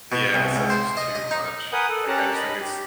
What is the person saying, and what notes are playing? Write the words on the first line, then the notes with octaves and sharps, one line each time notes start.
Yeah and it's just just too much, like, I just think it's
B2
C2
C#2
C5
D#5
D#5
D#4
A#4 B4 F#5 G#5 D#6 G6
A4
C#4 G4 A#4 A5 A#5 F#6
D#5 A5 B5
G4